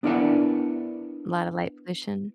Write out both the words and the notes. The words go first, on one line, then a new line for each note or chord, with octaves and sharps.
Lotta light pollution?
B3 D4 E4 A#4 D5 F#5